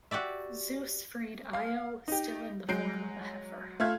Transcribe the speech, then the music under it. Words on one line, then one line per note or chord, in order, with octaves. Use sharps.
Zeus freed Io, still in the form of a heifer.
F#4 G4 D5 E5
F5
D#4 G4
F#3 G#3 G6 C7 D7
A3 F4 E5 F6 G#6